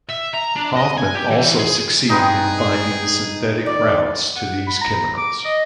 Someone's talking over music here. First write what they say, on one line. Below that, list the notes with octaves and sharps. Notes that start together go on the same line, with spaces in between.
Hofmann also succeeded in finding the synthetic routes to these chemicals.
E5
A#5
D4
D#5
G#5
G4
E3
G#4
G2 C4 D#4 G#4 B4
D#2 D5
F#5
B5
A#5
D6
D#5